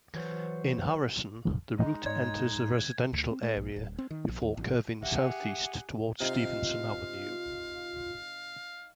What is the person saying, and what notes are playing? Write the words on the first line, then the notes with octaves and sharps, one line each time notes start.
In Harrison, the route enters a residential area before curving southeast toward Stephenson Avenue.
E3 F#3 C5
G#3 D#4 D#5
G#2 C#5 D#5 C6 G#6
D2
C4
A3
A#1
D1
C4
D#3
A#1
D#2
A1
G4 G#4 E5 F#5
C3 D#4 F4 F5